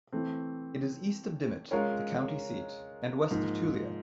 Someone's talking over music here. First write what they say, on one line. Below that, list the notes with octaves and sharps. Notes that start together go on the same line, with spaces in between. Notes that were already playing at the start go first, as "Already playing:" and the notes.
It is east of Dimmitt, the county seat, and west of Tulia.
E3 A3 C4
G#3 C#4 F4 A#4 C#5
G#2 F3 A#3